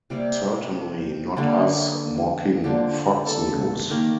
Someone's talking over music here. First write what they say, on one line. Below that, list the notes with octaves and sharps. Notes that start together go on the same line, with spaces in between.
Certainly not us mocking Fox News.
C3 G3 A#3
D3 G3 A#3
D3 F3 A#3 G4
A4
D#3 A#3 A#4